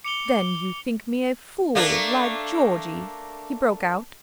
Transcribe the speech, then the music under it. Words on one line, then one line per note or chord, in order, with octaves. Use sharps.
'Then you think me a fool, like Georgey?' he broke out.
D6 C#7 F7 G7
A3 A#3 D4